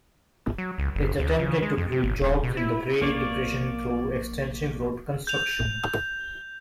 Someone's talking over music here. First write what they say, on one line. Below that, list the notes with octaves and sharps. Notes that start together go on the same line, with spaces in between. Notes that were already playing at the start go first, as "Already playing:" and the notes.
It attempted to create jobs in the Great Depression through extensive road construction.
F#3
C#2
F#1
D2
C#3
G#3
F2
C3
G#1
D#1
B2
E4
A#1 A#3 C#5 D5
G6 F7